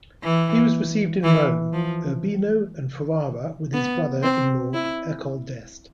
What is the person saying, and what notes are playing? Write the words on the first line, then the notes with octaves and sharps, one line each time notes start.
He was received in Rome, Urbino, and Ferrara with his brother-in-law Ercole d' Este.
E3
E3
F3
B3
C4
E4